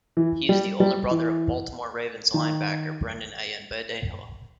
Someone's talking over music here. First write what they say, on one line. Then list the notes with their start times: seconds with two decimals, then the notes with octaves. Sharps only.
He is the older brother of Baltimore Ravens linebacker Brendon Ayanbadejo.
0.17 E3
0.49 G3
0.80 G3
1.11 E3
2.34 D#3